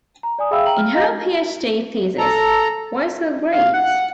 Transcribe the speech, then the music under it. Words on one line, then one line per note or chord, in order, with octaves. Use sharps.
In her PhD thesis Why So Great?
A#5
D5 G#5 D#6
G#4 E5 F5 G5 B5 E6
G5 A#5 F#7
F6
D#5 F5 A#5 G6 A#6
A4 A#5
F5
F#5